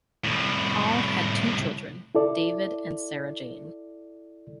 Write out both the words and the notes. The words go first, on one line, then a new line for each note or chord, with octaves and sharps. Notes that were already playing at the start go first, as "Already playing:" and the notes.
Hall had two children, David and Sarah Jane.
C2 A2
E4 A4 D5